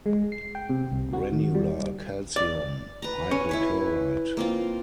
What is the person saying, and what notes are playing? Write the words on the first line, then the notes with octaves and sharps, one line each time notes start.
Granular calcium hypochlorite.
G#3
C7
G5
C3
C2
F#4
D#3
G3
D5
B4 A#5
C#4
E4 B4 C#5
A#3 C4 F4